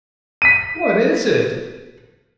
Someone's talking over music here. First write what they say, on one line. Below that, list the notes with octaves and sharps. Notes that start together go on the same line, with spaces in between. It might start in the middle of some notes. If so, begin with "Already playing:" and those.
"What is it?"
B6 D#7